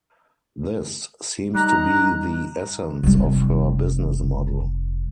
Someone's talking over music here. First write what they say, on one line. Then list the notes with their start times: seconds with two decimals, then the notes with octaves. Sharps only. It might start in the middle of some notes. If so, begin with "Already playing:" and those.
This seems to be the essence of her business model.
1.55 G3 D#4 A#5 F#6
3.03 F1 G3